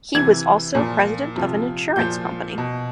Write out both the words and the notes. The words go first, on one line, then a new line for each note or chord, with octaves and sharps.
He was also president of an insurance company.
C3 E3 G#6
A#2 F3
C3 F3
A#2 F3 G6
B2